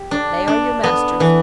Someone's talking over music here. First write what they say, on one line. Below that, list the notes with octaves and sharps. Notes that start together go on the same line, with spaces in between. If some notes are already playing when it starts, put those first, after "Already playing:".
They are your masters.
Already playing: G4
D4
D4
B3
E3